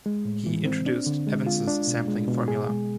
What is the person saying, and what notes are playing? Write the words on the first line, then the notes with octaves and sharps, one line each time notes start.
He introduced Ewens's sampling formula.
G#3
A2
E3
C4
D4
D3
G#3
F4
D4
B2
G#3
B2
G#4
G#3